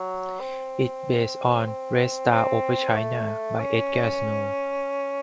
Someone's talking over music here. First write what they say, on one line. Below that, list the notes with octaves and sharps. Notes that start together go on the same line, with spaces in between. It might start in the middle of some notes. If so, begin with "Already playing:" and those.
It is base on "Red Star Over China" by Edgar Snow.
Already playing: F#3
C4
C4
C4
A3
C#4